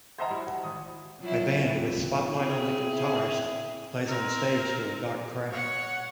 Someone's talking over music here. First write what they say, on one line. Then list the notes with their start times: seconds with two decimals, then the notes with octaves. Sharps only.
A band, with spotlight on the guitarist, plays on stage to a dark crowd.
0.18 C5 D#5 E5 F#5 A5 A#5
0.30 G3 E4 F#4
0.47 F#5
0.64 G#1 D#6
1.19 F3 F#3 E4
1.64 F2
2.33 C4 E4 G#4
4.06 C4 A#4
5.51 C#5 F#5